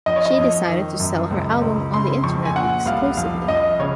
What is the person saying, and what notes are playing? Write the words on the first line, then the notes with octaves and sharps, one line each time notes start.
She decided to sell her album on the Internet exclusively.
F2 D#5
C#5
D#5
F2
D#3
F#2
C#2
C#2
C#3 C6
F2 C#6
G#5
A#2 F#5
C2 F5
F2 F5
F2 D#5
C#3 C#5